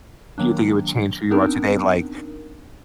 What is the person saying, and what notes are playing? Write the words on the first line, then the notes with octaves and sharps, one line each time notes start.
Do you think it would change who you are today, like,
D#3 F#3 A#3 D4
B3 C4 D4 D#4 A#4